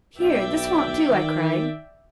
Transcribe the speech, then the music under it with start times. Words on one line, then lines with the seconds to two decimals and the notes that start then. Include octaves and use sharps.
'Here, this won't do,' I cried.
0.19 B1 D5 E5 G5
1.08 D#3